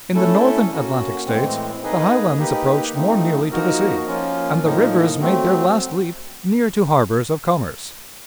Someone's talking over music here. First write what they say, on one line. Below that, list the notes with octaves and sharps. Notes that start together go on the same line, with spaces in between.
In the Northern Atlantic States the highlands approached more nearly to the sea, and the rivers made their last leap near to harbors of commerce.
A3 C#4 E4 A4
A#3 C#4 F#4
A2 E3 G#3 C4
A#3 D#4 G#4 B4 D#5
A#3 D#4 G4 B4
F3 A3 C4 D#4
F3 A#3 D#4 F#4 A#4
F3 A#3 C#4 F4
A2 F3 A#3 D#4
F#3 A3 C4